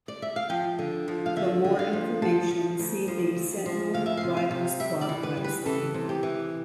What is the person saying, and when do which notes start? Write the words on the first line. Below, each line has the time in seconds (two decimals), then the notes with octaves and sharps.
For more information see the Sentinel Drivers Club website.
0.08 D5
0.22 E5
0.36 F5
0.50 F3 G5
0.79 D3
1.08 F3
1.26 F5
1.36 D3 E5
1.64 D3
1.79 F5
1.93 F3
2.22 F3 A5
2.51 F3
2.79 D2
3.08 F3
3.37 D2
3.66 F3
3.94 D2 F5
4.06 E5
4.17 F5
4.23 C3
4.37 F5
4.51 C3
4.80 G3 E5
5.01 D5
5.09 E3
5.23 B4
5.37 G3
5.44 B4
5.66 E3 A4
5.94 C3
6.09 G4
6.23 E3